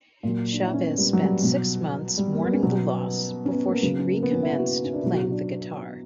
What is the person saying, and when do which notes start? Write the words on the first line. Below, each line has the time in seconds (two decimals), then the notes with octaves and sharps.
Chavez spent six months mourning the loss before she recommenced playing the guitar.
0.23 A#2 F#3
0.53 D4
0.63 E4
0.74 C#4
0.83 B3
0.98 G3
1.13 F#3
1.23 G3
1.42 B2 F#3
2.18 G3
2.33 A#3
2.43 B3
2.53 C#4
2.63 B2 F#3 B3
3.45 C#4
3.52 B3
3.68 A#3
3.82 C#3 F#3 B3
3.98 C#4
4.13 A#3
4.23 B3
4.32 C#4
4.43 E4
4.58 F#4
4.84 C#4
4.94 D4
5.02 B2 F#3 E4
5.12 F#4
5.23 F#4
5.32 D4